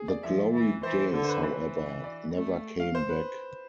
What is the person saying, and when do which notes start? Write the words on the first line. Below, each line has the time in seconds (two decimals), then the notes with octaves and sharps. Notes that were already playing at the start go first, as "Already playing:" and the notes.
The glory days, however, never came back.
Already playing: G#4
0.08 D5
0.23 F3 E5
0.54 E3
0.83 E3 C5
1.13 D3 A4
1.24 C5
1.29 B4
1.44 E3
2.04 D5
2.34 A3
2.80 F5
2.95 C5
3.10 B4